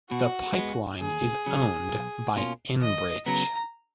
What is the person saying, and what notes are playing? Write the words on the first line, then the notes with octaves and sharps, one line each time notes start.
The pipeline is owned by Enbridge.
B2 F#4
G#3 B3
D#2 G#4
C#3 F#3
B1
B2 A#3 C#4 F4
D#2 D#5
C#3 F#3 B3 A#5